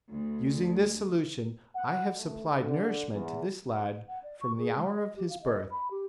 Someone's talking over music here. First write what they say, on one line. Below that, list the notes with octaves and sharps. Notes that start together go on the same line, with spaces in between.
Using this solution, I have supplied nourishment to this lad from the hour of his birth.
D2
F#5
A3
D3
E2
F#5
D5
C#6
G#4
G#3
D#5
G4
F5
D#5
B5
G4